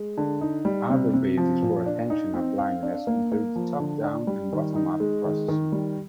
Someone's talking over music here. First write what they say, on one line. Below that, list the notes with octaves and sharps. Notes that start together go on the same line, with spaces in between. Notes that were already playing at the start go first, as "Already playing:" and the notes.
Other bases for attentional blindness include top down and bottom up processing.
Already playing: G#3
D3
D#4
G3
C3
C3
F3
A#2
D4
D#4
C4
F5
D4
A#3
A#3
F3
D3
D4
G3
D#3
D#4
G#3
D#3
D#3
G3